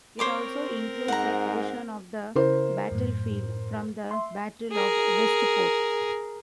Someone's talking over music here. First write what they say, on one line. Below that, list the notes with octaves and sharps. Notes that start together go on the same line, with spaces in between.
It also includes a portion of the battlefield from the Battle of Westport.
C4 A#4 C5 C#5 D6
G#2 F#5 A#5
C#3 E4 A#4 C5
F#2 A2
E5 C6
G#4 A#4